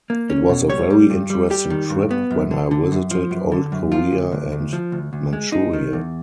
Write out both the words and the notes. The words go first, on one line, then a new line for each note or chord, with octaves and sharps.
It was a very interesting trip when I visited old Korea and Manchuria.
A#3
C#4
B2
G3 C#5
G3
G2
G3
G3 G4
D#3
G2
B3
F#2
D3
D3
F#2
F3
F#2
D3
F#2
F3 F4
D2
D2
D2
F3
D2
D2
G#3
G#3 D#4
D#3
E2